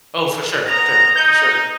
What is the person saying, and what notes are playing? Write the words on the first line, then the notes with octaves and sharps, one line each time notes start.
Oh, for sure, for sure, for sure.
B3 A#5
D#4 G6